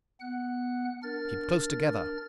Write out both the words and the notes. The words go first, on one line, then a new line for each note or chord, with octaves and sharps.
Keep close together.'
B3 F#5 F#6
D4 A#4 F6 A6